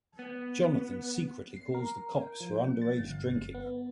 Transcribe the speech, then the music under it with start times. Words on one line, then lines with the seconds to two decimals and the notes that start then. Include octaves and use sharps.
Jonathan secretly calls the cops for underage drinking.
0.19 B3
1.56 C7
1.74 A#4
2.40 F3
2.82 A6
3.00 G1
3.54 B3